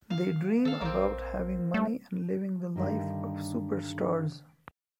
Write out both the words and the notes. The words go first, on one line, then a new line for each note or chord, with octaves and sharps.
They dream about having money and living the life of superstars.
F5
D#3 A4 F5
A#1 A#3 C4
A3
G2 D3 D#3 G3 D#4